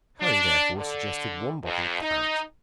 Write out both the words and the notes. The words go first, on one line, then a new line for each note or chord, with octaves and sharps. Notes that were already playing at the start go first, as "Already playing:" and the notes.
Harry therefore suggested one bottle of claret.
D4
D3
F2
D#4